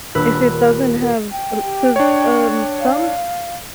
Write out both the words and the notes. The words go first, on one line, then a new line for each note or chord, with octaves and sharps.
if it doesn't have a l 'cause, um, some
D#1 D4 B4 E6
A#4
A#4
G5
G4
D4 C#5 C#6
F5